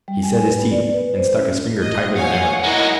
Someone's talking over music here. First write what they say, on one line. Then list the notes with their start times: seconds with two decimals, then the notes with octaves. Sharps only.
He set his teeth, and stuck his finger tighter than ever.
0.08 G3
0.23 G#5
0.43 B4
0.59 B3
0.71 D5
0.93 B4
1.16 C5
1.37 C#4
1.80 A#2 D#5
2.16 C#5 F5 F#5 G#5
2.64 G#3 E4 F#4 A#4 D#5